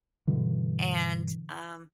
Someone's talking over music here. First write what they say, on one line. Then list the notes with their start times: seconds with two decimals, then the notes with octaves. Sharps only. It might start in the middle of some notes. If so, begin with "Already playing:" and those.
and, um,
0.27 G2 B2 D3 E3